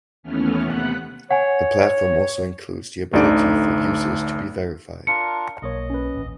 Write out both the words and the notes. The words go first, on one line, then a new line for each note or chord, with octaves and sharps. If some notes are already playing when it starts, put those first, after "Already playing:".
The platform also includes the ability for users to be verified.
D#2 E3 A3 B3 C#4 F6
D#2 C3 B3 F#5 B5 F#6
C#5 F#5 G#5
A1 D2 D3 D#4 D5 D7
D4 F4 A#4 C#7
B1 A#3 C#5 D#5
C#4 B4
A1 D#2